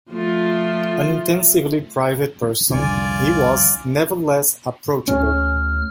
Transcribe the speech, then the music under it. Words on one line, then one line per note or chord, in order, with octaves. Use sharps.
An intensely private person, he was nevertheless approachable.
F3 A3 F4
C2 F2 D3 F4 D5 G#5
D2 C#4 F6